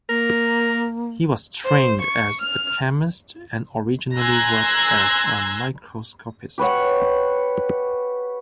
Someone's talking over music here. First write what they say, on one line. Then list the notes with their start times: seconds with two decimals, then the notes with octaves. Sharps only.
He was trained as a chemist and originally worked as a microscopist.
0.09 A#3 A#4
1.65 C5
2.01 C#6
2.42 F6
4.18 G#5 A#5 C6 E6 F#6 G#6
6.58 G4 B4 C#5 F#5